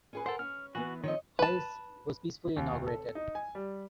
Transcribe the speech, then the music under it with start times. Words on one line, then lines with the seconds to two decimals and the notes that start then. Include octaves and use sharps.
Hayes was peacefully inaugurated.
0.13 C#4 G#4 B4
0.26 A4 A#4 C5 F#5
0.39 C#4 F6
0.75 E3 B3 F#4
1.04 D#3 F3 C4 C#5 D#5
1.39 B4 A5
2.56 D#2
2.73 F1
2.87 A4
3.15 D#4
3.35 G#5
3.55 G3